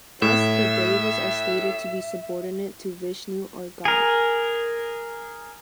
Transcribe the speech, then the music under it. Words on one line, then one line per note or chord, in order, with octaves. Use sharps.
Thus the Devas are stated to be subordinate to Vishnu, or God.
A2 E5
G#4 A#4